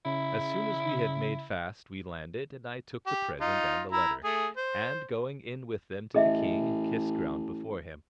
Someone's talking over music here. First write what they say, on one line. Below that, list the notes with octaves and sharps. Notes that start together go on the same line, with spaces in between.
As soon as we had made fast we landed and I took the present and the letter; and, going in with them to the King, kissed ground before him.
C#3 E4
G4
D#4 F4
E4 A#5
A3 G#4
C5
A1 G#4 D#5 E5